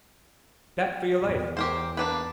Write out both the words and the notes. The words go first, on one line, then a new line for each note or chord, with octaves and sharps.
"Back for your life!"
E2
G4 A#4 C5
A#3 D4 B4